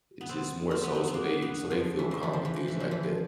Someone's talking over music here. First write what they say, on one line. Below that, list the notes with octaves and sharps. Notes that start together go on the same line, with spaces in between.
just more so, so they so they feel calm and things like that.
B3
C4
C4
B3
C4
B3
A#3
B3
F3
E3
F3
E3
F3
E3
F3
E3
F3
E3
F3